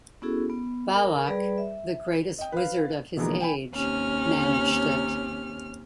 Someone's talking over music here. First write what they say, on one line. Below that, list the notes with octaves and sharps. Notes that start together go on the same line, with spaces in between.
Balak, the greatest wizard of his age, managed it.
B3 C#4 E4 F#4 G#4 A4
B3
A#4
G3 G#4 B4 D5 B5
E5
D#5 G5
B4 F5
B2 D3 E3 F3 G#3 A#3
G5 G#5 B5
D#2 C3 C#4 F6